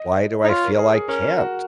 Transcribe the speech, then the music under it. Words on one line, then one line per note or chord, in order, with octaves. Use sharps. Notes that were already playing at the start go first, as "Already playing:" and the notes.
"Why do I feel I can't
Already playing: D#5
D#4
F4 C#5
A#4
G#4
G#4
C#4 A#4
F#4